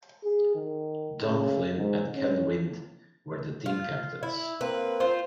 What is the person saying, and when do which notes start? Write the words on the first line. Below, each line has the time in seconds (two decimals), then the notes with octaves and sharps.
Don Flynn and Ken Wind were the team captains.
0.24 G#4
0.55 D#3
1.27 C#3
1.77 G#2
2.15 C#4
3.66 F4
4.23 E4
4.61 A#3 C4 B4
5.00 F4 C5